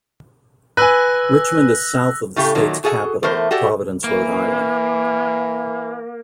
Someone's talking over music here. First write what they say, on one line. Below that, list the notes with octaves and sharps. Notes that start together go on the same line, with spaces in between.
Richmond is south of the state's capital, Providence, Rhode Island.
B4 G#5 E6 F#6 A#6
A2 C#3 A3 G4
A#2 D#3 F#3
F#4 G#4 A4 F5 G#5
E2 A3 A#4 C5
F#4 G4 A4 D5
E3 A#3